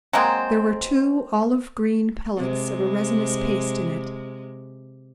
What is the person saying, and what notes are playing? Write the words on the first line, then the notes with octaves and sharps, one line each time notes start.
There were two olive-green pellets of a resinous paste in it.
F#3 G#3 A#3 C4
C3 G#3